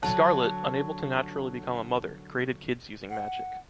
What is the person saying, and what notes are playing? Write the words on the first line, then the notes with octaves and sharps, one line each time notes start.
Scarlet, unable to naturally become a mother, created kids using magic.
D3 F#3 A5
F#5